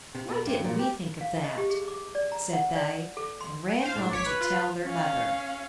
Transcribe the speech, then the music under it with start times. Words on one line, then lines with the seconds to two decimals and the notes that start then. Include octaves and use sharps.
"Why didn't we think of that?" said they, and ran home to tell their mother.
0.15 C3
0.28 B2
0.46 G2
0.64 A#2
0.79 G4
1.21 F5
1.44 D#5
1.58 G4
1.70 G#4
1.88 D6
2.15 D5
2.32 A#5
2.53 F#5
2.76 D5
3.17 A4
3.41 C6
3.82 C5 F5
3.96 A2 D4
4.11 A1 C#5 D6 B6
4.26 B4
4.41 F4
4.85 C#4 F5